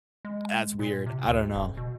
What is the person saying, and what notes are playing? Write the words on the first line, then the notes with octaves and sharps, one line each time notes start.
that's weird. I don't know.
G#3
A#2
C3
D2
D#1
B2